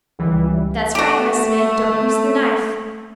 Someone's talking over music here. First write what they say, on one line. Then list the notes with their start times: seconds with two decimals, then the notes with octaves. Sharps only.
That's right, my Smid, don't use the knife!
0.19 C#2 E3 G3
0.95 A3 F#4 G4